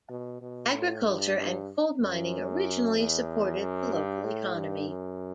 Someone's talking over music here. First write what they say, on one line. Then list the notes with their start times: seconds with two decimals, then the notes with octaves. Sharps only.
Agriculture and coal mining originally supported the local economy.
0.10 B2
0.41 B2
0.74 A2
1.05 G2
1.37 G2
2.01 F#2
2.96 E2
3.59 F#2
3.92 G2
4.24 A2
4.55 G2
4.87 F#2